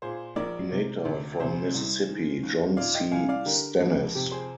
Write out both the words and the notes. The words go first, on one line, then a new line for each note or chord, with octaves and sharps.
Senator from Mississippi, John C. Stennis.
A#2 G#4 C5
A#1 A#4 D5
C3
D2
C3 G#4 C5
C2
D#3
D#2
A#2 D5 F5
D#5 G5
C2 F5 G#5
D5 F5
D3 G4 A#4
F2
C3 G4
G#4 C5